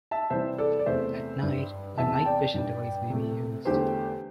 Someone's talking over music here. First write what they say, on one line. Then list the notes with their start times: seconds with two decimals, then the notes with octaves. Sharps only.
At night, a night-vision device may be used.
0.11 E5 A5
0.30 C3 E3 G3 C5 E5
0.58 A4 D5
0.79 D5
0.86 E2 C3 A3 C5 E5
1.43 G2 G3
1.98 E2 C3 E3 E5 A5
2.15 A5
2.25 D5 G5
2.54 G2 G3
3.10 C3 A3
3.65 E2 D3 A3 G4 C5